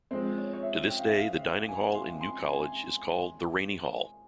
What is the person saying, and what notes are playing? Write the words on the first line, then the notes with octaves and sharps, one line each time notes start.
To this day, the dining Hall in New College is called the Rainy Hall.
F3 G#3 C4 C5
C#5
C#5
E5
G5
F5
E5
F5
G#5
C6
C6
G#5